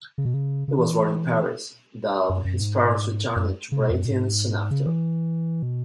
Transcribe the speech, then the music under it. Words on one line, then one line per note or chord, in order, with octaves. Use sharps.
He was born in Paris, though his parents returned to Britain soon after.
C#3
B2
C#3
C#3
E3
F#2
F#2
G#2
F#2
C#3
B2
E2
F#2
B2
G#2
C#3
E3
B2